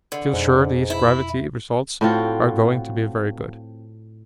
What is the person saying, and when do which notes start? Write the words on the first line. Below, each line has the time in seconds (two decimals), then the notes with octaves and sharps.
I feel sure these gravity results are going to be very good.
0.12 D3
0.33 F2 G#2 B2
0.90 E4
2.01 A2 C4 F4 F#4